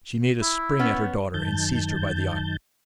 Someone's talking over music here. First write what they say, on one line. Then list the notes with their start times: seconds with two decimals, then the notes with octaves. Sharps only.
She made a spring at her daughter, and seized her by the arm.
0.41 E4
0.79 B3 C#4
1.34 F#2 D#3 A5 G6